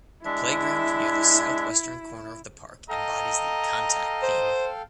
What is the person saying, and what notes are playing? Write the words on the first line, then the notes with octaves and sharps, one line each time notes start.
A playground near the southwestern corner of the park embodies the "contact" theme.
G#3 D4 E4 E5
A4 D#5 F5 G5 A#5
C5